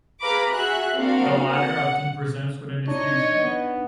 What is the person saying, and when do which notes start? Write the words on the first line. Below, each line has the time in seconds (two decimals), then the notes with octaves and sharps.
The latter often presents with an effusion.
0.21 G#4 B4 F5 A#5 B5 D6
0.52 F#4 G#4 E5 F#6
0.95 A#3 C4 D4 F#4 F5
1.50 F#5
2.88 D4 D#4 C#5 D#5 C#6
3.38 B3